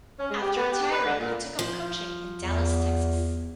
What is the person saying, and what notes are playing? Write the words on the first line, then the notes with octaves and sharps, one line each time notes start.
After retiring, he took up coaching in Dallas, Texas.
C#4
G#3
G4
B3
G4
B4
D3
A#2
F3
E2